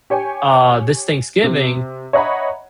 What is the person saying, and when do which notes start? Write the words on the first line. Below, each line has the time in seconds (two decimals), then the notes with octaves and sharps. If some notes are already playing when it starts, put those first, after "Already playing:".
r uh, this Thanksgiving,
0.10 G4 C#5 G5 G#5
1.43 C3
2.13 C#5 D#5 E5 F#5 A#5 B5